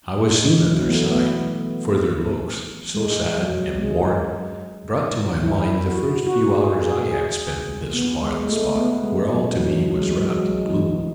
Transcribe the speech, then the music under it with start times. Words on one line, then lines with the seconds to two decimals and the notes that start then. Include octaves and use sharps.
I was soon at their side, for their looks, so sad and worn, brought to my mind the first few hours I had spent in this wild spot, where all to me was wrapt in gloom.
0.18 G#3
0.46 E3
0.58 E3
0.66 F#3
0.82 B3
0.87 A3
1.08 B3
2.95 G#3
3.36 F#3
3.78 G#3
5.43 E4
5.86 F#4
6.27 F#4
6.55 G#4
6.83 G#4
7.10 G#4
7.94 B3
8.22 G#3
8.39 G#3
8.49 A3
8.76 B3
9.04 G#3
9.32 F#3
9.55 F#3
9.59 E3
9.80 F#3
9.95 G#3
10.02 F#3
10.17 G#3
10.22 F#3
10.42 G#3
10.70 E3